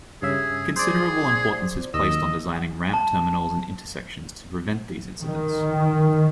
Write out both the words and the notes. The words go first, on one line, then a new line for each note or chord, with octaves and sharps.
Considerable importance is placed on designing ramp terminals and intersections to prevent these incidents.
G2 C#3 G#4 E5
G#4 C5 D5
D#2 D#5 E6
A5
D#3